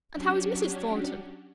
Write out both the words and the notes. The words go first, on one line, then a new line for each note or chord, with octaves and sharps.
And how is Mrs. Thornton?
F#3 C#4 D4 F#4 G4